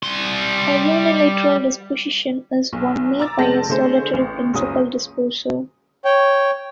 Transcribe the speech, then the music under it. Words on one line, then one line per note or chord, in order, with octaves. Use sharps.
A unilateral disposition is one made by a solitary principal disposer.
G3 C6
B1
A#5 D6 E6 A6
F1 G#3 C4 A5 G6 A#6
D3 A3 G#4 C5
A1
F#1 C#2 C#3 F#3 D#6
C#5 G5